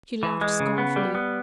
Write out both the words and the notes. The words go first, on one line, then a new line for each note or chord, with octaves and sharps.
She laughed scornfully.
E3
G#3
C#3
B3
G3
B3